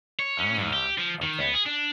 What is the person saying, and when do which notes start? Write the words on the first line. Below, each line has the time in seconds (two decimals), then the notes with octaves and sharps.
Ah, okay,
0.19 C#5
0.39 C#4
0.58 G#2
0.73 G4
0.98 F3
1.22 D#3
1.40 B3
1.54 G#4
1.66 D4